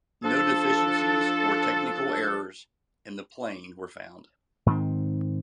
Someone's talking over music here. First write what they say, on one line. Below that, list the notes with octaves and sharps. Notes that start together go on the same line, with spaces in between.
No deficiencies or technical errors in the plane were found.
F3 D4 A4
G#2 D#3 C4